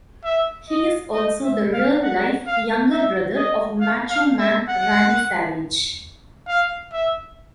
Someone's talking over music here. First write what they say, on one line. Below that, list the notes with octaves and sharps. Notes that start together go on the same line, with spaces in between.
He is also the real-life younger brother of "Macho Man" Randy Savage.
E5
D#5
D#5
E5
F5
F#5
F5
E5
D#5
F5
F5
E5
F#5
F5
E5